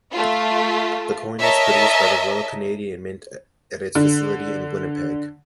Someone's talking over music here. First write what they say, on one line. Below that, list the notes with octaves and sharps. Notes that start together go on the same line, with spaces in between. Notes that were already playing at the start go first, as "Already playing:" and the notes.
The coin is produced by the Royal Canadian Mint at its facility in Winnipeg.
A3 F4
A#4 C#5 D#5 E5 A5
D3